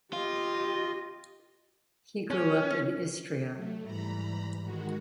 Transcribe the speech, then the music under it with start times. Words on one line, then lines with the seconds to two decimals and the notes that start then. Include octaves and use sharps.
He grew up in Istria.
0.13 F4 G4 D#5
2.30 C#4
3.55 F#3 A3
3.84 G#2 E3 G3 A#5 B5
4.64 D#3 G#3 F#4